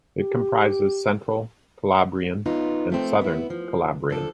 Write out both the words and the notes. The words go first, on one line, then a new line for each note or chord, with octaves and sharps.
It comprises Central Calabrian and Southern Calabrian.
G4
B3 D#4 F4
F3 A3 C4
B3 E4
F3
D3 F3 A4